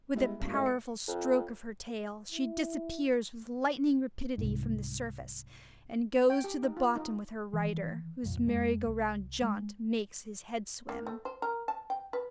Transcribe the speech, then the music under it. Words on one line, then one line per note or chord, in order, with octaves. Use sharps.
With a powerful stroke of her tail, she disappears with lightning rapidity from the surface, and goes to the bottom with her rider, whose merry-go-round jaunt makes his head swim.
G3 G#3 B3 E4 D#5
G#1 G2 A#2
G#3 E4 A4 D#5
C#7
F2
E4
C2 G#2
G5
G4
D#4
F4
D#4
D#3 E3
G1 C2 F2 A#2
F2 G#3
C2
G#3
A#3
A3
C5
A#4
A5
G5
B4